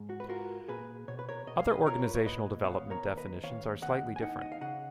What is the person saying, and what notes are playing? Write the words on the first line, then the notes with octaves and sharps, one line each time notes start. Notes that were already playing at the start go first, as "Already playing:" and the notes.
Other organizational development definitions are slightly different.
Already playing: G#2
F#4
B4
F4 F#4 A#4
A#2 G#4 B4
B2 C#5
B4
A#4 C#5
B2 D#5
F5
B4 D#5
F4 A#4 C#5
B4
C#5
A#2 B4 D#5
B3 C#5 F5
A#4 C#5
D#2
B4 D#5
D#2 C#5 F5
D#2 D#5 F#5
G#5
D#4 D#5 F#5
D#5
F5
C#3 D#5 F#5